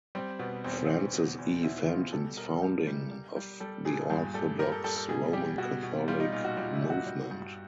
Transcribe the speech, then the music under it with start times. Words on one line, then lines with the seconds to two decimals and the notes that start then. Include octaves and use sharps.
Francis E. Fenton's founding of the Orthodox Roman Catholic Movement.
0.15 G3 C4
0.39 B2 B3
0.64 E2 C4
0.89 E2 C4
1.14 B2
1.38 E2
1.63 B2 E4
1.87 B2 F4
2.12 G3 A4
2.37 B2 A#4
2.62 G3
2.87 G3
3.11 G3
3.36 G3
3.60 G3 A4
3.85 A#2 G#4
4.10 G2 G#4
4.34 G3 A4
4.59 G3 A#4
4.72 A4
4.84 G3 A4
4.96 A4
5.09 B2 G#4
5.33 G3 G4
5.58 B2 F#4
5.83 B2
6.08 G3 F4
6.20 D#4
6.32 A#2 F4
6.45 F#4
6.57 G3 F4
6.74 E4
6.82 G3
6.90 F#4
7.07 G3
7.31 G2